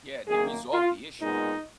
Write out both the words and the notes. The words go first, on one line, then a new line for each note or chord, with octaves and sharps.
Yeah, they resolved the issue.
F#2 D#3 A#3 G#4
F4
A#2 G#3 B3 D#4